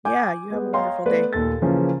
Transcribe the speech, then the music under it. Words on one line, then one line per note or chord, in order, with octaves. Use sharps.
Yeah, you have a wonderful day.
G#5 D6 G6
G#3 B3
C#5 D#5 F5 G5 A#5 C6
A3 B3 B4 D5
D#2 A#2 A4 A6
C#3 E3 F3 A#3 C#4